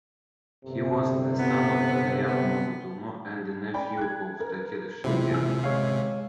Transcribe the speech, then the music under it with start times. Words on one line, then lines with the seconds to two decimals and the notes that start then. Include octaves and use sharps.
He was the son of Anayama Nobutomo and a nephew of Takeda Shingen.
0.65 G1 C3
1.39 B3
2.26 B3
3.74 D5 G5 B5
3.97 F#6 G#6
4.40 A#4 B4
5.04 C3 E3 G#3 C4 E4 F4
5.31 G#1 G#5 E6
5.64 G#3 C#5 F5